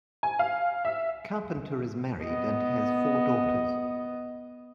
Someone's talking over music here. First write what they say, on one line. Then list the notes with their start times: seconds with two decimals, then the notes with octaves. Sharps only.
Carpenter is married and has four daughters.
0.23 G#5
0.39 F5
0.85 E5
2.23 B3 D#5